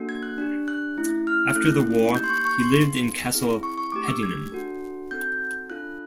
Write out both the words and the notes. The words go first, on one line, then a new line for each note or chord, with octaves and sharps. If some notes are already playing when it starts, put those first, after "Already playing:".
After the war he lived in Castle Hedingham.
Already playing: A#3 D4 F#4 A4
G#6
F#6
D4 G4
F#6
A3 C#4 E4
F6
A3 C#4 E4 A4 F#6
A#3 D#4 G4 G6
C6
C#6
C#6
C6
B3 D#4 G#4
C4 E4 G#4
C#6
C#6
A3 D4 G4 D6
E6
G#6
D4 F#4 A4
C4 D#4 F#4 A4 G6
D4 F4 A4 F#6